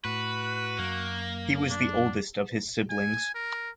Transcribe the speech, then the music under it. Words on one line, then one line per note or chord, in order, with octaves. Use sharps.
He was the oldest of his siblings.
A2 F#4 B4
F#2 A#3
D4
G#5
A#4